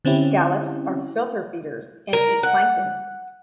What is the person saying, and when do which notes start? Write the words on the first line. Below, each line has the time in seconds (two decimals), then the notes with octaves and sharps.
Scallops are filter feeders, and eat plankton.
0.05 D3 C4 C#4 E4 G4
2.13 A#4
2.43 F#5